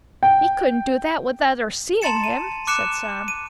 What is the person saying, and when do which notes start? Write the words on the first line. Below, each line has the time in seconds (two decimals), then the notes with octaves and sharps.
"He couldn't do that without our seeing him," said Sam.
0.23 G5
2.02 A5 A#5 C6 A6 C#7 E7
2.24 D#7
2.67 D6 F#6 C#7 E7
3.28 D#7